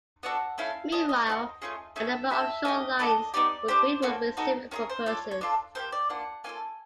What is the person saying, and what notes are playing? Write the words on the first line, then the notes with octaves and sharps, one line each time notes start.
Meanwhile, a number of short lines were built for specific purposes.
B3 D4 F#4 A4 F#5
A3 C#4 E4 A4 F5
C#4 F4 A4 D#5
D#5
C4 D#4 F#4
A3 C#4 F4 G#4
A3 C#4 G#4 E5
C#4 F#4 A4 E5
A3 D4 G4 D#5
D4 F#4 A4 D#5
B3 D#4 G4 D5
D4 G4 C5
A#3 C#4 F#4 A4
B3 D#4 F#4 A4
C#4 F4 G#4 A#4
C5
D4 F4 A4 C#5
C#5
D4 F4 A4 D5
A#3 D#4 G4 C5
D5
A#3 D4 F4 F#5
A#3 C#4 F4 A4 G#5